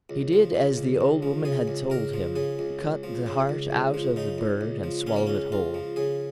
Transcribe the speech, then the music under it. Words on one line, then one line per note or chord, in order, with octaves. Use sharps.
He did as the Old Woman had told him, cut the heart out of the bird and swallowed it whole.
C#2
F3
C#3
C#2
C#2
F3
C#3 G#4
C#2
C#2 A#4
F3
C#3 G#4
C#2
C#2
F3
C#3
C#2
C#2
F3
C#3 D#4
C#2
C#2
F3
C#3 C#4
A#3
C#2 C#4
C#2 F4
F3
C#3 G#4